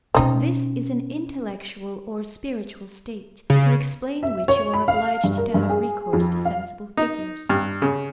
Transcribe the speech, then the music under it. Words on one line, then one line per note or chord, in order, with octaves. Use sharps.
This is an intellectual or spiritual state, to explain which you are obliged to have recourse to sensible figures.
B2 C4 C#4 D#4
C#3
E5
C#5
B5
F5
G2
A#4
G2
G#4
F2
F5
D#4
G2
C#3